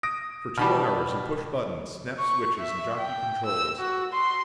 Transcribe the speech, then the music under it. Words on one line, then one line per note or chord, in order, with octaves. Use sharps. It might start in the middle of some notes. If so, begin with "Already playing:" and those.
For two hours he pushed buttons, snapped switches and jockeyed controls.
D#6 A#6 D7
B2 G3 A5 B5 F6
C#6
E5
G5
E6
F#4
C6